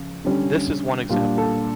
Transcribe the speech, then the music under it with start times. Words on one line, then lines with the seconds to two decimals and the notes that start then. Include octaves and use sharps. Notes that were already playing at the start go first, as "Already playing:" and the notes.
This is one example.
Already playing: C#3 F3
0.25 D3 G3 C#4
1.09 A#2 G3 D4 F4
1.38 A4